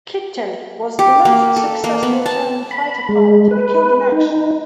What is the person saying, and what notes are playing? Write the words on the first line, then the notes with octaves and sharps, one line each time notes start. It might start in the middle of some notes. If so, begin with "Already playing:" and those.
Kittel was the most successful German fighter pilot to be killed in action.
G4
A#3
A4
A#3
B3
A5
B5
G#3
B4
D#4